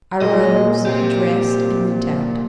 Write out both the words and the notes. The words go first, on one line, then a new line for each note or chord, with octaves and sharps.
I rose, dressed, and went out.
A#2 G#3 D#5
C3 G4 C6